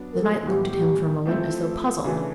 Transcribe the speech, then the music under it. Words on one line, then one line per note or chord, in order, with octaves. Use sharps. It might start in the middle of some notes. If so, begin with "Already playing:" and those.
The knight looked at him for a moment as though puzzled.
Already playing: F#3 B3 D4
A#4
A4
A2 E3 G3 B3 G4
F3 A3 C4 E4
C#3 E3 A3 D4 F#4